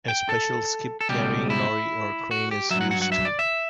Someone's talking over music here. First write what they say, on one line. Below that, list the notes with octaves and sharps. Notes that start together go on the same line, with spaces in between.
A special skip-carrying lorry or crane is used.
G5
A4
A4
C#2 B2 G3 G4
E4
F#4
G4
G2 F#3 E5
F#5
F#5
F#5
E5
D5
E5